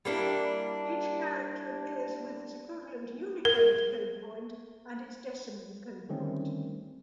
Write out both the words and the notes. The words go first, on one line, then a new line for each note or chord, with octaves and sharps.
Each character appears with its equivalent Unicode code-point and its decimal code-point.
G3 A#3 D4 E4
A#4
D3 D#3 G3 A3 C4 C#4